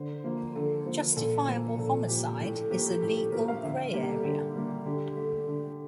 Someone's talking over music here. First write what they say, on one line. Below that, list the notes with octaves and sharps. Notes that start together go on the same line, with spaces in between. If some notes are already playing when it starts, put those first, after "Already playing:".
Justifiable homicide is a legal, gray area.
Already playing: D3 C5
F3 A#3
D3 A4
F3 A#3
A#2 A4
F3 A#3
A#2 A4
F3 A#3 G4
A2 G4
A4
F3 A#3 G4
A4
A2 G4
A4
F3 A#3 A#4
F5
D3 E5
G3 A#3 G4
A4
D3 G4
G3 A#3
D3 G4
A3
D3 A4